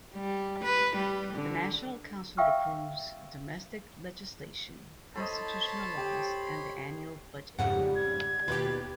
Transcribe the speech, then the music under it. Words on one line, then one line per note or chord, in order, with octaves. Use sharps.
The National Council approves domestic legislation, constitutional laws, and the annual budget.
G3
B4
G3
D3
E5 F5 G5 C#6 E6 F6
A4 C5 C#5 D#5 A5 B5 C6
G4
F2 G#2 C#3 G3 F#5
G#6
D#2 B2 F4 G4 B4 D5